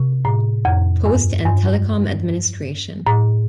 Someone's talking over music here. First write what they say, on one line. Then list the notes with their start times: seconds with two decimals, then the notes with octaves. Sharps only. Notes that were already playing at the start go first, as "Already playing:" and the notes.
Post and Telecom Administration.
Already playing: C3
0.25 A2
0.65 F2
1.05 G2
1.46 G2
3.07 A2